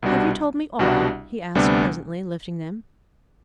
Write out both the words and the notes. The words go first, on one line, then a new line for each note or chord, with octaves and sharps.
"Have you told me all?" he asked presently, lifting them.
C2 B2 G3 D4 F#4
C2 B2 G3 D4 F#4
D2 C3 G3 B3 D4